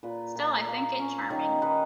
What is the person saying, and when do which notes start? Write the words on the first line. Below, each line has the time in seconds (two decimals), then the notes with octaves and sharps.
Still I think it charming.
0.03 A#2 B4
0.35 A#2
0.67 A#3
0.99 C#4
1.30 D#3 C#5
1.62 D#3 B4